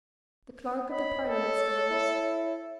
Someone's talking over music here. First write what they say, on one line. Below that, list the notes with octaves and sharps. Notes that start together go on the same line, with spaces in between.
The Clerk of the Parliaments arose.
C#5 D#5 B5
A4
E4